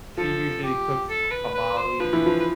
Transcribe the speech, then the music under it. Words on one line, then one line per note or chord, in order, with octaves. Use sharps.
She usually cooks tamales,
F3 A4
G4
A4
B4
B4
C5
F3 B4
E3
F3
B4